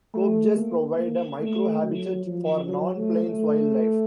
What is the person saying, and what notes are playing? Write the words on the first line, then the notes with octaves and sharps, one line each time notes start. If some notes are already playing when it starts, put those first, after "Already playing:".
Kopjes provide a microhabitat for non-plains wildlife.
A3
A#3
A#3
A3
F#3
F3
F#3
A3
A3